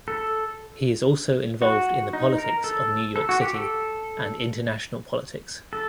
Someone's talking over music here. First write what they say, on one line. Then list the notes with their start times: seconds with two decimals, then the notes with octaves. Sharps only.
He is also involved in the politics of New York City and international politics.
0.08 A4
1.62 F#4
2.13 D#4
2.38 A#4
2.64 A4
3.16 A4
3.29 F#4
3.41 G4
3.54 A4
5.73 A4